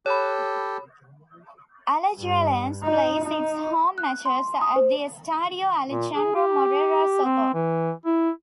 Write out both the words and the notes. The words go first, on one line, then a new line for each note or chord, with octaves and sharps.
Alajuelense plays its home matches at the Estadio Alejandro Morera Soto.
G4 A4 C#5 B5
G2
D#4
D#4
F#6
C6
D#6
C5
A#2
G#4
G4
C4
E3
E4